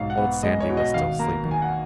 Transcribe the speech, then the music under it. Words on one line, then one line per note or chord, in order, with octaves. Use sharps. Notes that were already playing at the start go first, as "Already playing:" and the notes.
Old Sandy was still sleeping.
Already playing: B1 G#2 F5
F#5
B3
G#3 D#5
C#5
B2
D#5
G#1 F5
A#3 A#5
D#3
G#5
F#5